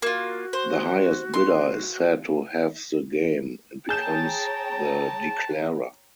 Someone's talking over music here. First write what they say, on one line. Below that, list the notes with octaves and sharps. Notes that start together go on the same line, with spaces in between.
The highest bidder is said to "have the game" and becomes the declarer.
A#3 F4 F#4
C5
C6
G#4 C#5 G5 A5 A#5 G6 E7